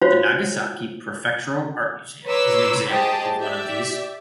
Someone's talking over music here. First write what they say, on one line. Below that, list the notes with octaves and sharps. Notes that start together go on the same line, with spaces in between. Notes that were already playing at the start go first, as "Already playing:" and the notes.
The Nagasaki Prefectural Art Museum is an example of one of these.
F4 F#4 C5 C#5 F5
B4 C#5 A#5 C6 D6 E6
G4 G#4 C5 D#5 G5 A5
G4 D5 E5